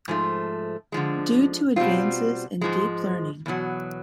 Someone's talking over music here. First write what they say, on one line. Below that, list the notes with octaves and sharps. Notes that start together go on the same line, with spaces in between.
Due to advances in deep learning.
G#2 F3 A3
D3 F3 G#3
B2 G3 C4 F4
G#2 F3 G#3
E2 B2 F#3